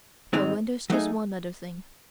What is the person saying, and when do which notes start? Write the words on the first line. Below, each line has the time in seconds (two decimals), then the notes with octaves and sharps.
Oh, and there's just one other thing.
0.33 G#2 D#3 G#3 C4 D#4
0.90 F#3 A3 D#4 G#4